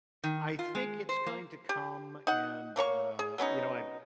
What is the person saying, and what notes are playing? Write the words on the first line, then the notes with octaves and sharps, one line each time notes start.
I think it's going to come and, uh, you know, I b
D#3
F4
G#3
C5
A#3
G4
D#4 F#5
A3 A#3 C#5 C#6
G#4
F#3 B3 C#4 D#4